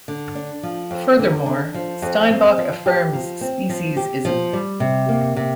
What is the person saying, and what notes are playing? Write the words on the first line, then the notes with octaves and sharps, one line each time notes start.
Furthermore, Steinbock affirms speciesism.
D3
D4
F3
F2
D3
D4
F3
F2
C4
F3
G4
F3
C4
F3
G4
F3
G3
C3
A#3
C3